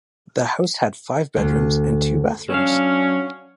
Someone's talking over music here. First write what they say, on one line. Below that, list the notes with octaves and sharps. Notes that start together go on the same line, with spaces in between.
The house had five bedrooms and two bathrooms.
D2
F#3 C#4 D4 F5